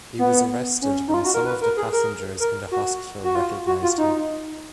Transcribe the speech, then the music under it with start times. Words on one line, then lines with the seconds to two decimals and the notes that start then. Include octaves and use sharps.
He was arrested when some of the passengers in the hospital recognized him.
0.19 B3
0.82 C#4
1.08 D#4
1.14 F4
1.25 F#4
1.34 A#4
1.46 B4
1.61 A#4
1.77 G#4
1.93 A#4
2.40 A#4
2.72 F#4
3.24 F#4
3.35 F4
3.66 F#4
3.82 F4
3.98 D#4